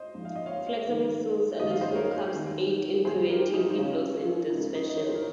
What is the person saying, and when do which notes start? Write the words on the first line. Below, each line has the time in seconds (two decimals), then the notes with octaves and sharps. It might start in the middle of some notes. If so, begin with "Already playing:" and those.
Flexible seals at the suit cuffs aid in preventing heat loss in this fashion.
Already playing: G#2 C5 D#5
0.14 A#1 G#2 F3
0.25 F5
0.35 D#5
0.46 C#5 F5
0.86 A#1 G#2 D#3 G#3
1.60 A#1 G#2 D#3 G#3 D#5
1.71 F5
1.81 C5 D#5
1.96 A#4 C#5
2.32 D#2 D#3 G3
3.05 D#2 D#3 G3 G#4 C5
3.29 G4 A#4
3.54 D#4 G4
3.70 D#4
3.78 C#2 C#3 G#3 C#4 F4
4.50 C#2 C#3 G#3 D#4
4.75 D#4
4.89 D#5
4.97 C#5
5.07 C5
5.15 A#4